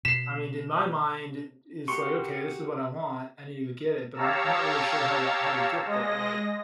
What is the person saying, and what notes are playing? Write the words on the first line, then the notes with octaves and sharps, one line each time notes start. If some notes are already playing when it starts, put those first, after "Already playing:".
I meaned, in my mind it is like, "Okay, this is what I want. I need to go get it, but I'm I'm not really sure how to how to get there." Like,
B2 B6 C7 E7
F#4 G4 A#4 C6 C#6
G4 C#5 F5 A5 A#5 E6
G#3 D#5 A#6